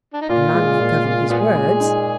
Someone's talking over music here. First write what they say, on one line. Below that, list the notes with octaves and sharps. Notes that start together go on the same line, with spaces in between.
"A man may govern his words."
D4
D#4
A#2 F4
G#3
A#2
A#2
A#2 B3 F4 G#4
G#3
D#4